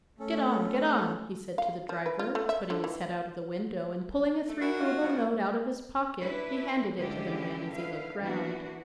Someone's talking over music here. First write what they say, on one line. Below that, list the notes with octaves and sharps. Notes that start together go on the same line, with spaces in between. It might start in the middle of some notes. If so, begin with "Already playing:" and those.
"Get on, get on!" he said to the driver, putting his head out of the window, and pulling a three-rouble note out of his pocket he handed it to the man as he looked round.
A3 C#4 A4
F5
F3
B4
F4
A3
E5
D3
E3
A3
E4 F#4 A#4 E5 G#5 F6
F#2 A#3 D#4 F4 D#5
C#3 F3
B5
D4 E4 B4
D3 F3 G#3 C#4 E4 G4
D3 E4 B4 F5
E3 A#3 B3 D4 F#4